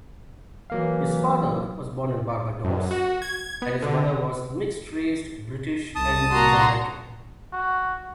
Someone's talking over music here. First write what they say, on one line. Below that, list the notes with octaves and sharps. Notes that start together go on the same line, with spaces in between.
His father was born in Barbados and his mother was mixed-raced British and Jamaican.
E3 F#3 A#3 F5
F#2
F#4
G#6
B3
D3
C2 A5 D#6
A#3 F#4 A#5 C6
F#4